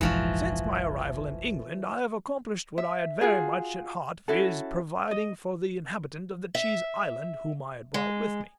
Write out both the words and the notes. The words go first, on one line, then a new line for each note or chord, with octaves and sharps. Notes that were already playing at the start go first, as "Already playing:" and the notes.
Since my arrival in England I have accomplished what I had very much at heart, viz., providing for the inhabitant of the Cheese Island, whom I had brought with me.
F1 A#1 G#2 E3 F3 F#4
E5
F4 F#4 G#4
C#4 E4 F#4 A4
D#5
E5
G#3